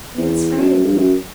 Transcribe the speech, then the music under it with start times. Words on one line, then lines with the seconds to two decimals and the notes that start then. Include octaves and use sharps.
"You inspired me."
0.18 E2
0.57 F#2
0.85 G2
0.97 F#2